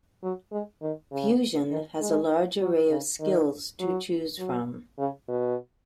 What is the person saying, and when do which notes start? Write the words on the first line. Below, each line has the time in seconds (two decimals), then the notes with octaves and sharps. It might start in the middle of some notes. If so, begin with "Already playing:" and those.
"Fuzion" has a large array of Skills to choose from.
0.23 F#3
0.51 G#3
0.81 D#3
1.12 C#3
1.71 D#3
2.01 G#3
2.60 F#3
2.89 C#3
3.20 D#3
3.79 F#3
4.38 F#3
4.98 C#3
5.28 B2